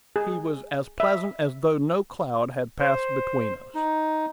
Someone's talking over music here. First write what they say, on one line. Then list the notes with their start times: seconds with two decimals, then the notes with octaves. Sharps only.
He was as pleasant as though no cloud had passed between us.
0.16 G#4
1.00 E5
2.80 C5
3.75 D#4